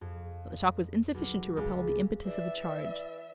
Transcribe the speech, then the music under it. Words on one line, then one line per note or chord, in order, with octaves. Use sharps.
But the shock was insufficient to repel the impetus of the charge.
F2
B1
C#2
E3 D5 E5